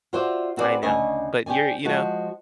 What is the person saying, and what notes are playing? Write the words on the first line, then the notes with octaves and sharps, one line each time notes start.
I know. But you're you know?
F4 F#4 C5 D5 E5
C4 F#4 G#4 B4 C5 D5
D2 C#3 D#5 G#5
G4 C5 D5 G#5
F3 G#3 F#4 C5